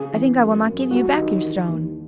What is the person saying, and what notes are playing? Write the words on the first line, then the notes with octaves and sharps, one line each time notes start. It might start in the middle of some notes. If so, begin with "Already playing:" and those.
I think I will not give you back your stone.
Already playing: C#3 G#4
E3
F#2
F#2
G#4
C2 F#4
D#3 D#4
E3
D#2